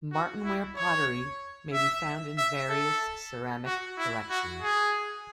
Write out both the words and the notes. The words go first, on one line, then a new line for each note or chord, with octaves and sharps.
Martinware pottery may be found in various ceramic collections.
F#4
E4
C#5
E5
E5
A4
F#4
E4
F#4
G#4